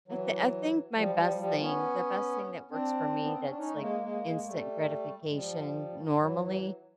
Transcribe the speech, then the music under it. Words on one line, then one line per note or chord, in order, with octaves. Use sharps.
I thi I think my best thing the best thing that works for me that's, like, instant gratification normally
E3 F#3
F3 G3
F3 G3
F3 G3
B3 C#4
C4 D4
B3
C4
C#4
D4
C#4 D#4
A3
G#3 A#3
G#3 A#3
G#3 A#3
G3 A3
G#3
F3 G3
E3 F#3
E3 F#3